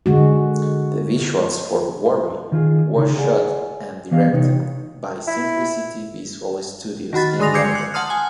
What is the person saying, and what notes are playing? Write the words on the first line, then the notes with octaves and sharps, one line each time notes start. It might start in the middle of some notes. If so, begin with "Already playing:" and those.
The visuals for "Worry" was shot and directed by Simplicity Visual Studios in London.
D3 G#3 F#4
D#3 F4 G#4
C#3 D#4
G#4 C#5 D5 F#5 G#5
E3 B3 C#5 D#5 F5
C3 D#4 G4 C#5
E4
D#3 F#4 B5 A6
D3 G#3 C6 D#6 A#6 F7
D6 E6 G6 G#6 C7 C#7
F#6
F#5 A5 C6 D#6 F6
G#5